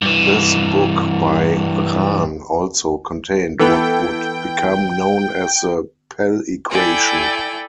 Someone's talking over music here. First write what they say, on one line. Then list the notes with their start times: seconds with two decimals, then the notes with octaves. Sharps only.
This book by Rahn also contained what would become known as the "Pell equation".
0.02 G2 E3
3.60 E3 B3 E4 A4 G5
6.70 E4 A4 D5 G5 G#5